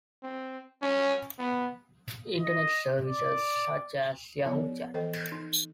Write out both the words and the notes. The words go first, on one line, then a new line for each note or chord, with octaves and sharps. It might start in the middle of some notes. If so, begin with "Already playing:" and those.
Internet services such as YahooChat!
C4
C#4
B3
D#5
D5
F3 B3 E4 G#4 C#5
E3 A4 C5 D#5 G5
D#4